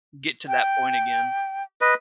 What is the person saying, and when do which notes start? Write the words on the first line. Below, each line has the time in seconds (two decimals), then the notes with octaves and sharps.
get to that point again."
0.48 G5
1.81 B4 D#5